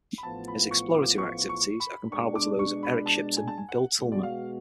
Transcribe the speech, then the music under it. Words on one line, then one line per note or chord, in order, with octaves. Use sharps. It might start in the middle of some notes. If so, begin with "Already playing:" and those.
His exploratory activities are comparable to those of Eric Shipton and Bill Tilman.
B5
A1 A2 F3 B3 F4 A5
B5
C#6
D6
C#6
C#6
B5
B2 G#3 D4 C#6
D6
C#6
B5
A5
G#5
A5
G#5
F#5
B2 G#3 B3 F#4
D5
F5